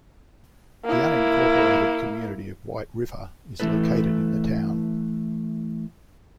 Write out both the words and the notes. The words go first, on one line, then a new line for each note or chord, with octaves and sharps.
The unincorporated community of White River is located in the town.
A#3 E4
E3 A3 E4 A4 B4